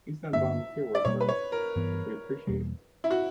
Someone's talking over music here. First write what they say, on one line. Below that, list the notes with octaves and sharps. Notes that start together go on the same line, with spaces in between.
He's done volunteer work for us, which we appreciate.
G2 D3 A#3 D4 E5
D5
B2 G3 A#3 C#5
B4
C#5
A#4
G2 E3 B3
E2 B2 G3 A#3
E4
F#4